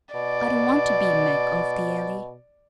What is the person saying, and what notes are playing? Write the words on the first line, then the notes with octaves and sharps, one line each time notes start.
I don't want to be Mag of the Alley.
B2 D5